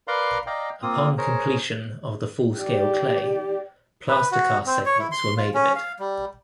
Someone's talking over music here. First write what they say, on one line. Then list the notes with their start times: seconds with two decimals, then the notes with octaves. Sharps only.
Upon completion of the full scale clay, plaster cast segments were made of it.
0.08 A#4 B4 D5 F5 A#5 C6
0.47 D5 D#5 F5 G5 A#5
0.82 A#3 C4 F4 D#6
1.18 G#4 A#4 C5 C#5 A#5
2.57 G4 D5
4.08 B4
4.32 F#4
4.66 C4
4.86 C#5
4.99 E4
5.12 C6
5.37 F4
5.54 C#4
5.76 F5
5.99 G3